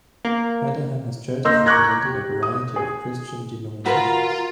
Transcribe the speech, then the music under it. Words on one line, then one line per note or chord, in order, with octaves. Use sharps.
Caterham has churches representing a variety of Christian denominations.
A#3
A#3 D#5 C6 E6 G6 A#6
A#5 C#6 D6 F#6 G#6 A#6
G4
D#6
G#4
F4 F#4 A#4 B4 A#5